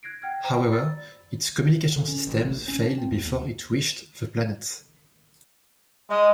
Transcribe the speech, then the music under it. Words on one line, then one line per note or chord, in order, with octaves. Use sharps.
However, its communications systems failed before it reached the planet.
F#6 G#6 A#6 C7 D7
F#5 G5 F6 G#6
C5 G5 A#5
D5 B5
D5 E6 A6
D3
C#4
A1
A#1
C#4
D4
C4
E2
D#2
G#3 D#5